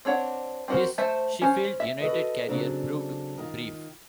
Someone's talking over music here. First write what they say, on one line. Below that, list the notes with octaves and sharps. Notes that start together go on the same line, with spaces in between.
His Sheffield United career proved brief.
C4 D4 C#5 F#5
C4 D4 F#4 A#4 C5
A3 C5 E5
C#4 C5
E5
F#4 A4 B4 D#5
C#3 F#3 A3 C4 D4
D#3 F4